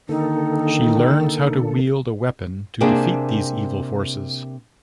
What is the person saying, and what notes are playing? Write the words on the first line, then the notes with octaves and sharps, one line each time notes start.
She learns how to wield a weapon to defeat these evil forces.
D3 D#3 A#3 D#4 A4
C3 A#3 C4 D4 G#4